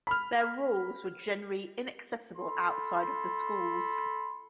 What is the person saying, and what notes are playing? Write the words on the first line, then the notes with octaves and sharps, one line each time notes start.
Their rules were generally inaccessible outside of the schools.
B5 F6
A4 B5 C6